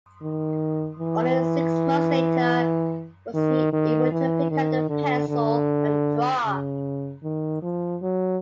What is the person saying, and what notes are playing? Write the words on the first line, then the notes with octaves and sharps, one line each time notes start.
Only six months later was he able to pick up a pencil and draw.
D#3
E3
D#3
D#3
E3
D#3
D3
D3
C#3
D#3
F3
F#3